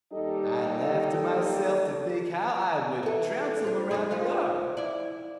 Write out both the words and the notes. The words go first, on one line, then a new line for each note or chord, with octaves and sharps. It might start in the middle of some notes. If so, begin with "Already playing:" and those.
I laughed to myself to think how I would trounce him around the yard.
D#2 G3 D#4 G4 A4 D#5
E3 A4
F3 D4
F#2 D#4 G#4
F3 D#4 F4
E4 D5